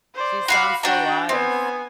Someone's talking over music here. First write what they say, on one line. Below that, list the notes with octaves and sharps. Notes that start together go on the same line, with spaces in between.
She sounds so wise.
C5 D5
F#4 F5 B5 D6
D4 F#4 G5 A#5
B3 C4 G#5